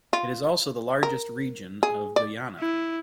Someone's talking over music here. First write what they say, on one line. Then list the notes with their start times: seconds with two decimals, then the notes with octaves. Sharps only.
It is also the largest region of Guyana.
0.13 F4
1.03 A#4
1.83 G#4
2.16 D5
2.59 E4